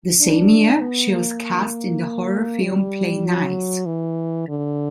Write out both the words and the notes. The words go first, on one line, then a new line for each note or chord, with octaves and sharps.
The same year, she was cast in the horror film "Play Nice".
D4
B3
A#3
G3
F#3
E3
D3